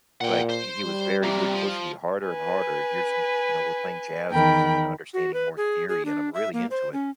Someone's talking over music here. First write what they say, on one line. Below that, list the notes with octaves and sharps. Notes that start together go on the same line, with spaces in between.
like he he was very he would push me harder and harder, here's some you know, we're playing jazz music and understanding more theory, and I'm really into it,
A#2 F#5 G5
C5
G3
C3 A#3
F3
B4 G#5
E2 D#3 A#4 G5 B5
F#4
B4
G#4
G#4
D4
E5
A#3
C5
C#4